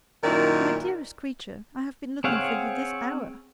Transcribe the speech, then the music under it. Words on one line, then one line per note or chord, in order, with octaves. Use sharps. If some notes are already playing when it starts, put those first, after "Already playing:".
My dearest creature, I have been looking for you this hour.
F#2 A#2 D#3 E4 D5
C4 G#4 C#5 F5 F#5